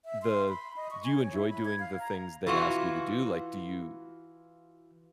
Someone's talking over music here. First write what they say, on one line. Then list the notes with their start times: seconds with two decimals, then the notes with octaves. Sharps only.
the do you enjoy doing the things they ask you to do, like, do you
0.05 E5
0.22 C6
0.49 B5
0.76 D#5
0.91 C#6
1.04 G#5
1.20 C#5
1.33 E4
1.49 B5
1.65 G#6
1.80 F5
1.99 A#5
2.47 E3 F4 F#4